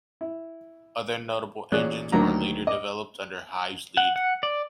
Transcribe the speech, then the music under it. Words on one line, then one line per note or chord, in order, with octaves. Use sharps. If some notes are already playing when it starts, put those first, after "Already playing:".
Other notable engines were later developed under Hives' lead.
E4
A1 A#2 G#4 C#5 D5 F#6
D2 D#3 F#3 A#3 D4 A#5
D#5 D6
F#5
F#5
D5